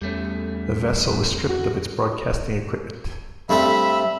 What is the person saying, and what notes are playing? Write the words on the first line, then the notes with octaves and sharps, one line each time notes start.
The vessel was stripped of its broadcasting equipment.
E2 G3 A3 C#4
F#4
G2 A3 C4 E5 B5